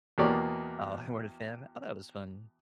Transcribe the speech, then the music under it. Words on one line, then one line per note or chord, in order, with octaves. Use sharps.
Uh, you weren’t a fan oh, that was fun.
E2 B2 A#3 G4 C#5 D5